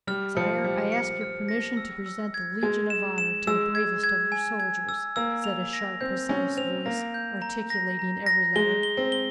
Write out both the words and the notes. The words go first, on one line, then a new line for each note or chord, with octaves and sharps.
"Sire, I ask your permission to present the Legion of Honor to the bravest of your soldiers," said a sharp, precise voice, articulating every letter.
G3 F6
F3 C#7
G3 C#7
C#7
F6
A#6
E6
E6
G#6
G#3 G#6
E7
E7
G#3 E6
G#6
G#6
G#5
G#6
E6
A#3 E6
F7
A#6
C4 G6
C#4 A#6
C4 F7
A#3 A#6
G6
A#5
A#6
A#5
A#6
G#3 G7
G7
C4
G7